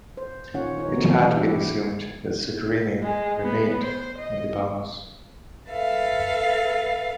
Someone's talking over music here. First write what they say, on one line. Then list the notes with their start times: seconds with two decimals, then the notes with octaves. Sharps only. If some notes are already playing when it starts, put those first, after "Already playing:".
It had been assumed that Zuccarini remained in the Bahamas.
0.17 C5
0.54 A#2 D#3 C#4 F4 C#5 F#5
0.78 D#4 C#5
0.94 A#3 C4 F#4
1.11 E3 G3 B3
1.35 D4 E4 G4 E5
3.02 G#3
3.43 B3
3.82 C5
4.18 D#5
5.69 A4 B4 E5 F5